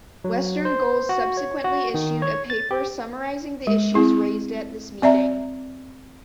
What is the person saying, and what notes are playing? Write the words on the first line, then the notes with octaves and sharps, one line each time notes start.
Western Goals subsequently issued a paper summarising the issues raised at this meeting.
F#3
C5
F#4
C#5
F#4
D#3
C#5
A6
G4
G#3
C4 E4 G#4
C4 D5 E5 A#5